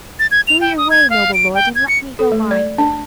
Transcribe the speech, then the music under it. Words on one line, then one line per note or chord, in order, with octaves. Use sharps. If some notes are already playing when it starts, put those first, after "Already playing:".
'Go your way, noble lord, and let me go mine.
A6
G#6
F7
G5
D#6
G#6
F5
D7
G5
G#6
C#7
A4
A3
D5
D4